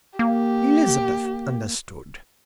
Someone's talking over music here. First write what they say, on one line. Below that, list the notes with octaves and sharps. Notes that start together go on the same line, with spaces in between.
Elizabeth understood.
A#3 G4